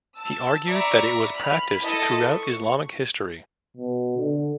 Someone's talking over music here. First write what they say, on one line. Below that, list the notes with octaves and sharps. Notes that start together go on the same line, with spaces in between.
He argued that it was practiced throughout Islamic history.
A5 E6
D5 E5 A#5 B5 C#6
B5 F6
E4 A4 D#5 A5
C#6
B2
D3